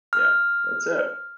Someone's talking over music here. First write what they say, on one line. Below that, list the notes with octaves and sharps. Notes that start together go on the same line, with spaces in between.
Yeah, that's it.
F6